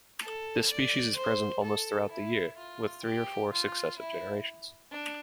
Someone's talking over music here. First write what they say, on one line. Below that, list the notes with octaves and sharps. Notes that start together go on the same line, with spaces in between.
This species is present almost throughout the year, with three or four successive generations.
A4
D5
C5
A4
E4
F4
G4
F4
E4
D4